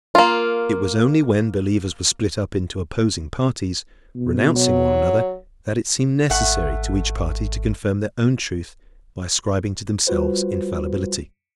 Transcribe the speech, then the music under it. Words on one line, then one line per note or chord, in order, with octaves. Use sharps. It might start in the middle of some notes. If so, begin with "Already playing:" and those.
It was only when believers were split up into opposing parties, renouncing one another, that it seemed necessary to each party to confirm their own truth by ascribing to themselves infallibility.
A#3 F4
B2
F#3
G#1 A3 F#5
G3 F4 F#4 B4 C5